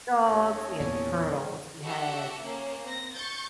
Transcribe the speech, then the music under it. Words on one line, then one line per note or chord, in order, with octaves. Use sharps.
dogs, we had turtles, we had
D#2 C#4 A4 C#5 D#5
E2 A#2 E3
G#2 D#3
F#4 G4 A4 E5
A#3 C#4
C4 A#6
C#6 G6 A6